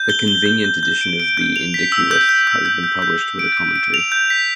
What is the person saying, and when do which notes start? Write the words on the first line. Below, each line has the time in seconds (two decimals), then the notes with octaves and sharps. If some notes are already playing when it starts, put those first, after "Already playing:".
A convenient edition of the Indiculus has been published with a commentary.
Already playing: G6
0.10 G7
0.28 G7
0.46 G6
0.64 G6
0.83 G6
1.01 D7
1.20 D7
1.37 G6
1.56 F7
1.74 B6
1.92 E6
2.11 G6
2.29 G6
2.47 E6
2.65 G6
2.84 G6
3.02 G6
3.21 F7
3.39 D7
3.58 D7
3.76 D7
3.94 F7
4.12 G6
4.30 B6